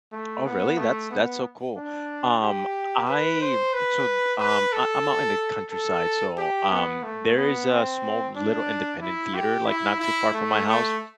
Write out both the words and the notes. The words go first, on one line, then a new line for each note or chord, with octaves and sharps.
Oh, really? That's that's so cool. Um, I so, um I I'm out in the countryside, so, um, there is a small little independent theater, like, not too far from my house.
A3
B3
A3
B3
D4
G4
B4
C5
B4
B4
A4
A4
G4
B3
A3
B3
C4
D4
E4
G4
E4
E4
A3
A3